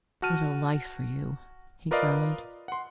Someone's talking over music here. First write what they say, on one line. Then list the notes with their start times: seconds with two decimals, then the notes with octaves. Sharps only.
"What a life for you!--" he groaned.
0.22 F#4 A5 F6 D#7
1.91 F4 A#4 B4 D5 D#5 F5
2.68 F#5 C6